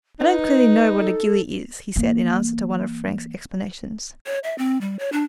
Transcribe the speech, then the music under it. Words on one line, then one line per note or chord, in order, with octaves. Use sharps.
"I don't clearly know what a gillie is," he said, in answer to one of Frank's explanations.
D#4 B4
A4
E3 A#3
C#5
E5
C4
G3
C#5
D4